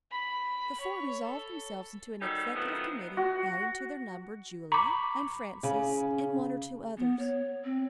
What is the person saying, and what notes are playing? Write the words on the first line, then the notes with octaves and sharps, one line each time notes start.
The four resolved themselves into an executive committee, adding to their number Julia, and Frances and one or two others.
B5
C#5
A4
D#3 G3 C#4 D#4 F#4 A4
B2 D#3 F3 F#3 A3 B3
F#4
A#5 B5 C#6 D6
C#3
B3
C#5
C4